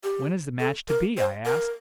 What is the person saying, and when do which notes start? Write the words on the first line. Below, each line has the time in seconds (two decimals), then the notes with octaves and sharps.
"When is the match to be?" I asked.
0.04 G4
0.60 A4
0.89 A#4
1.17 C5
1.46 A#4